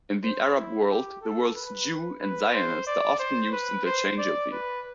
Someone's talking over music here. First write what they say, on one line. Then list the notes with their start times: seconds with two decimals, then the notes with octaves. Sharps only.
In the Arab world, the words "Jew" and "Zionist" are often used interchangeably.
0.24 C5
0.56 E4
0.89 G4
1.22 A4
1.56 B4
2.21 B4
2.54 C5
2.87 D5
3.19 C5
3.53 B4
3.85 C5
4.18 D5
4.52 B4